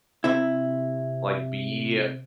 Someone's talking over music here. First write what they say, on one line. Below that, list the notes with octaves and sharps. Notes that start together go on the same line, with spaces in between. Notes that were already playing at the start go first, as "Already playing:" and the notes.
like be
C3 E4